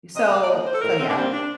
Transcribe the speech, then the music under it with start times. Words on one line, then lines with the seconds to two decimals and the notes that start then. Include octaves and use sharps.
so so, yeah.
0.15 C3 D#5
0.32 F5
0.42 D5
0.48 F3 A#3 D#5
0.65 C5
0.75 A4
0.81 A2 A#4
0.99 C4
1.08 D4
1.15 G3 A#3 C4
1.32 D4